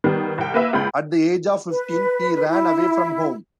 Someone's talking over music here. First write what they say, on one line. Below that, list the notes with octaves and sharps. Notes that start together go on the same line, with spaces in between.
At the age of fifteen he ran away from home.
D#3 G3 B3
C2 G5
A#3 B4 E5
C#2 G#3 B5 G6
B4
E4